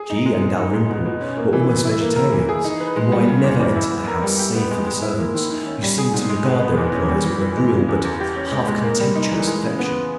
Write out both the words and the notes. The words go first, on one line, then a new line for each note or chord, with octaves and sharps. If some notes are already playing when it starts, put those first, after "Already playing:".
She and Dalrymple were almost vegetarians, and wine never entered the house save for the servants, who seemed to regard their employers with a real but half-contemptuous affection.
Already playing: G#4
D#4
G#3
G#3
D#4
G#3
B2
B2
C#4
A#3
E3
E3
E4
A#3
A#4
E3
G#4
D#4
B4
G#3
G3
C#3
E2
E2
E4
B3
A#4
G3
G4
B3
G#3
G#3
E4
A#3
D#3
D#3
C#4
G3
G#4
G#2
G#3
B2
B3
E2
C#4
G3
E3
E3
G#3
C#3
E2
E2
G4
C#4
G#3
G#3
A#3
G3
D#4
E3
G#3
C#3
B3